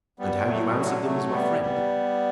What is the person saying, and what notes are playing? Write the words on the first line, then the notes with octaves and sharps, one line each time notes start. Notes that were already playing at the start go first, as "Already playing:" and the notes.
"And how you answered them as my friend."
G3 B3
F#3 A3
G3
D3 F#3
F#3 A3
G3 B3
G3 B3